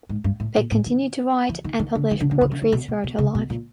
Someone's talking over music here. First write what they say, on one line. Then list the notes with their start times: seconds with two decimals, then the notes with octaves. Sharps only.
Peck continued to write and publish poetry throughout her life.
0.09 G#2
0.24 G2
0.40 A2
0.55 A#2
0.71 A2
0.86 D#3
1.49 E3
1.64 D#3
1.79 D#3
1.95 D3
2.11 D#3
2.20 D3
2.31 D3
2.41 D3
2.51 C#3
2.62 D#3
2.72 B2
2.88 B2
3.04 B2
3.18 C3
3.35 B2
3.50 A#2